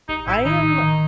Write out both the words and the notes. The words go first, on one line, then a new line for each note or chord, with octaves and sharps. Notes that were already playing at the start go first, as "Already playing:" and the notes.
I am
A1 D#4
A2 E4
D#3 D#4
D#3
D#3